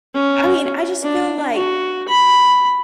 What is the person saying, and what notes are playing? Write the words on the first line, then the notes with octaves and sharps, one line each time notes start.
I mean, I just feel like
C#4
D4
F#4
B5